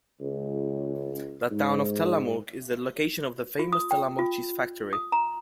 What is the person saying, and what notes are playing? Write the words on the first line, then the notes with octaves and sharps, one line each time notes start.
The town of Tillamook is the location of the famous Tillamook Cheese Factory.
C#2
G#2
F4
D#6
G5
F4
D#6
A#5